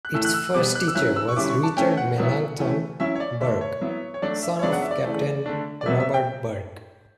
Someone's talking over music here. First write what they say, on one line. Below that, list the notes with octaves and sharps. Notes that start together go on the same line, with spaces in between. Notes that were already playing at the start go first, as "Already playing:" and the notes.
Its first teacher was Richard Melancthon Burke, son of Captain Robert Burke.
F#6
A2 E3 A3 E6
F#6
E6
B2 G3 B3 D6
F#6
E6
F#3 C#4 E4 F#6
E6
C#6
D3 G3 C#4 E4 D6
C#6
A5
E3 A3 C#4 E4 G5
F#5
B2 F#3 B3 E4
E3 A3 C#4 E4
F#3 C#4 E4 E5
C#5
D5
D3 A3 D4 E5
C#5
F#3 B3 E4
C#5
F#3 A3 D4 D5
E5
C#5
C#3 F#3 B3 D4 D5
F#5
E5
D5
C#3 E3 A3
D3 A3 D4
D5
B2 F#3 B3 E5
E5
G5